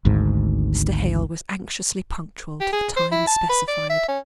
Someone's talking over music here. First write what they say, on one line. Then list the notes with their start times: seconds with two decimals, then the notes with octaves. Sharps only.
Mr. Hale was anxiously punctual to the time specified.
0.05 G#1 D2 G#2
2.60 G4
2.73 G#4
2.96 C5
3.12 E4
3.27 A5
3.49 B4
3.68 D5
3.90 E5
4.08 C#4